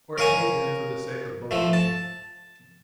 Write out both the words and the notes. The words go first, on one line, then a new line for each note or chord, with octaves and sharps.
Or it may have been for the sake of both of them.
A#4 C#5 F5 G#5 A#5
F3 A3
A5